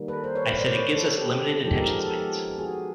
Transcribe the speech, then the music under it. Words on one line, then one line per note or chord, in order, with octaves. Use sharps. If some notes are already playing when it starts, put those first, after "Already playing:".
I said it gives us limited attention spans.
Already playing: D#3 G3 A#3
A4 B4
A#4 C5
B4 C#5
B4 C#5
C5 D5
B4 C#5
A4 B4
G4 A4
F3 G#3 B3 D#4 G4 A4
G#4 A#4
G4 A4
G4 A4
F#4 G#4